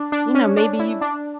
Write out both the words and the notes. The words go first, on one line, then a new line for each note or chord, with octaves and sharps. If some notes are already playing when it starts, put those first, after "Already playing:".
you know, maybe you
Already playing: D4
D4
C#4
D4
E4
D4